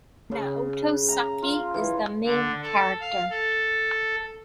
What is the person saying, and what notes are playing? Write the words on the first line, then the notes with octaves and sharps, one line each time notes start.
Naoto Saki is the main character.
C#3
A#5
F4
E3
D3
A4
F5
A4